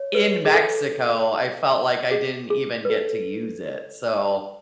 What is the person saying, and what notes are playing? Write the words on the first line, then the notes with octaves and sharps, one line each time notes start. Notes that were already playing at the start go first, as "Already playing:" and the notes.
in Mexico, I felt like I didn't even get to use it, so,
Already playing: C#5
B4
G#4
A4
G#4
G#4
B4
A4